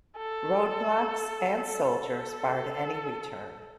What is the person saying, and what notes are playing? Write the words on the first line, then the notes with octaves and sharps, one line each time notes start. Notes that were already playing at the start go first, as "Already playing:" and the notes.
Road blocks, and soldiers barred any return.
A4
A4
A4